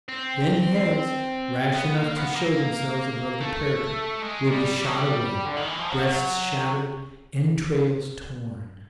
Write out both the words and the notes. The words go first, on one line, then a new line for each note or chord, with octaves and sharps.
Then heads, rash enough to show themselves above the parapet, will be shot away, breasts shattered, entrails torn.
C4
B3
A#3
B3
A#3
A3
G#3
G3
G3
F#3
G3
D3
D#3
E3
F3
F#3